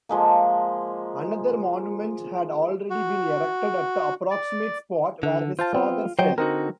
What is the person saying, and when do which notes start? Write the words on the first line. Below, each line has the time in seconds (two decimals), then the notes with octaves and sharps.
Another monument had already been erected at the approximate spot where his father fell.
0.09 F3 G#3 A#3
2.90 F#4
4.31 D5
5.23 D3
5.59 F4 C5 F5 A5
5.75 B3 C4
6.19 F#3 C5 D#5 G5
6.38 D3 C4 D#4 F#4 A#4